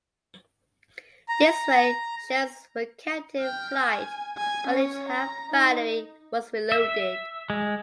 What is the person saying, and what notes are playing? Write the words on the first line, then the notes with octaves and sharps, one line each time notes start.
This way, shells were kept in flight while each half-battery was reloaded.
A#5
G5 F6
G#5
G#5
C#4 C#5
A#5
D#4
E5
G#3